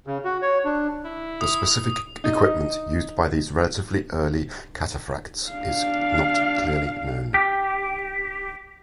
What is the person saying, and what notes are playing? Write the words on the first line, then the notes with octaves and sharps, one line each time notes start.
The specific equipment used by these relatively early cataphracts is not clearly known.
C#3
F#4
C#5
D4
E4
D#6
D#4 D#5
D4 F5
G4